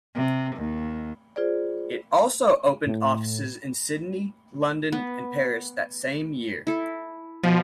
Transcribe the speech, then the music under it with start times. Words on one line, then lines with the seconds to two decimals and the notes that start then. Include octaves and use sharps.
It also opened offices in Sydney, London and Paris that same year.
0.15 C3
0.57 D#2
1.36 F4 G#4 C5 D5
2.86 A2
4.92 B3
6.67 E4 A4
7.43 B2 F3